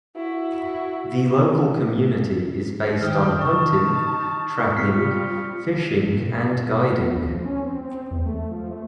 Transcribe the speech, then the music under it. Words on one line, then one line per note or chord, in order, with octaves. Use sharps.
The local community is based on hunting, trapping, fishing and guiding.
E4 F#4
D#3 C5 G5 D#6 F6
D#4 A5 C#6
F3 G3 C4 F4 F6 B6 C#7
G2
B2
B3
D2
F3
C#4
C4
C4
E2
A3
F3
A3